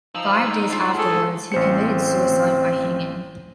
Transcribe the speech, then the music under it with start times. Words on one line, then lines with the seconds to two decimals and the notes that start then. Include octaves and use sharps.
Five days afterwards he committed suicide by hanging.
0.15 F3 D#4 E6
0.44 G#2
0.70 D4 F4
0.98 G#4 A4 G#5
1.52 A1 C4 C5 C#7